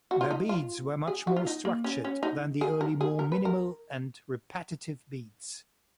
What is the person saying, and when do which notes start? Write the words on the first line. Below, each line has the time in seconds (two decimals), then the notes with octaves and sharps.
Their beats were much more structured than the early more minimal and repetitive beats.
0.11 F#4
0.21 F4
0.31 D#4
0.49 F4
1.08 G#4
1.27 F#4
1.36 F4
1.47 D#4
1.65 A#3
1.84 C#4
2.04 C#4
2.23 D#4
2.61 G#4
2.81 A#4
3.01 G#4
3.19 A#4
3.32 B4
3.45 A#4